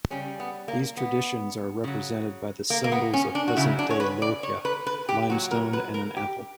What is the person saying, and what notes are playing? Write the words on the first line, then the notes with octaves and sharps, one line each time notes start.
These traditions are represented by the symbols of present-day Lohja: limestone and an apple.
C#3 G3 C#4
B3
A#3
B3
C#3 F#3
A#3
A#3
B3
C#4
D4
F#4
C#3 F#3 E4
D4
C#5
B4
D5
C#5
B4
B4
G4
A#2 F#3 F#4
A#4
B4
A#4
G4